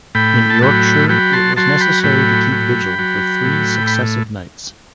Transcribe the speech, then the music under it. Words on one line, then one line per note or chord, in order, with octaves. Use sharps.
In Yorkshire it was necessary to keep vigil for three successive nights.
A2 G5 B5
A5
F#3 G5 B5
F#3 G5 B5
A5 C6
F#3 A5 C6
G5 B5
A2 G5 B5
F#3
F#3
A2
B5